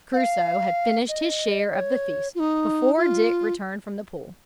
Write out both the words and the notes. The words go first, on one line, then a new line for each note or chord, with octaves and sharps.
Crusoe had finished his share of the feast before Dick returned from the pool.
F#5
F5
D#5
C#5
F4
D#4
F4